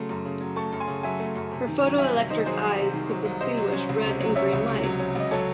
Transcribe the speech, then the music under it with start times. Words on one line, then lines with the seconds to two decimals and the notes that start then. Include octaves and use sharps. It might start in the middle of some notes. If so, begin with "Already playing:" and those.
His photoelectric "eyes" could distinguish red and green light.
Already playing: C#3 F#3 A3 C6
0.09 F#2
0.25 C#3
0.41 F#3
0.56 A3 A5 C#6
0.73 F#2
0.80 G#5 C6
0.87 C#3
1.03 F#3 E5 G#5
1.20 A3
1.36 F#2
1.51 C3
1.67 D#3
1.83 F#3
1.98 C2 E5 G#5
2.15 C3
2.30 D#3 C5 D#5
2.46 F#3 G#4 C5
2.62 C2
2.78 C3
2.93 D#3
3.09 F#3
3.25 C2
3.41 C3 C5 D#5
3.57 F#3
3.73 C#4
3.89 C#2
4.04 C3
4.20 F#3
4.36 C#4 C#5 E5
4.53 C#2
4.68 C3
4.83 F#3
5.00 C#4
5.15 C#2 D#5
5.31 F#3 A4 C#5